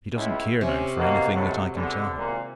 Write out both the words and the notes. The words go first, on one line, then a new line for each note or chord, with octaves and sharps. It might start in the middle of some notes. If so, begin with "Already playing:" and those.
"He doesn't care, now, for anything that I can tell him."
C#2 C#3 E4
C3 C#4
B2 D#3 A#3
C#2 A2 F#3
E2 D3 B3
G#1 A#2